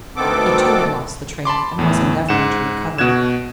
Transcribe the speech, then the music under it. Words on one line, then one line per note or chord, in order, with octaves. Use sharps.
He too had lost the trail, and was endeavouring to recover it.
D2 D#3 B3 C4 A4 D6
A5 B5 C6 D6
E2 A2
G#2 F#5 E7
B2 F#4 F#6 G#6 E7